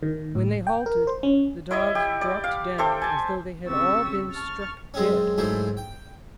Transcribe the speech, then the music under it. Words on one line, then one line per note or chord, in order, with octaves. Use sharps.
When they halted, the dogs dropped down as though they had all been struck dead.
D#3
A2
G5
A#4
C5
C#4
E4 C#5 D#5 E5
G4
D5
F5
G4 A4 C5 E5
G#5 A5
C#3 C4 G4 C#6 E6 A6
A5 C#6 F6 A6
F#2 G#3 C4 C#4
G#2 E3 F#3 A3 C5
G5